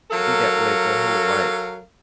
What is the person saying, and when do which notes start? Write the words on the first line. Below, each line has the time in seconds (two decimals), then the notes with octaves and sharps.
be that way their whole life,
0.11 F#3 A4 A#4 F5